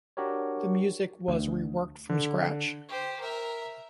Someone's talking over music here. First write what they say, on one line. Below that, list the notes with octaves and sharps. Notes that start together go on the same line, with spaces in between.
The music was reworked from scratch.
D4 F#4 G4 A#4 C#5
D2
D3
G4 C5
A#4 E5